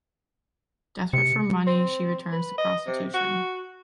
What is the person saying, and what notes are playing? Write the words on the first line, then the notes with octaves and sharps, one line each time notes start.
Desperate for money, she returns to prostitution.
C3 C#7
C4
B4
D#5
C3
F#4